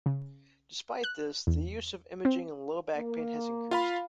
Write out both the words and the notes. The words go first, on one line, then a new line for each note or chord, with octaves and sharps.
Despite this, the use of imaging in low back pain has increased.
C#3
F#6
E2
C4
A#3
F4 F5 B5